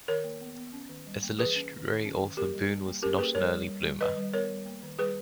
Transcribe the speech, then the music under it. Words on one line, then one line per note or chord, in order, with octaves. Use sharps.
As a literary author Boon was not an early bloomer.
D#3 A#4 C#5
A#3
B3
B3
C#4
D#3
G3
A#3
E3 G#4 B4
C#4
D#3
D#3
C#4
D#3
A#3 G4 A#4
G3
G3
A#3
C#4 G4 A#4
A#3 G#4 B4
G3 A#4 C#5
G3
G3
G3
D#3 B4 D#5
G3
B3 A#4 C#5
G3
A#3
D#3
G3 G#4 B4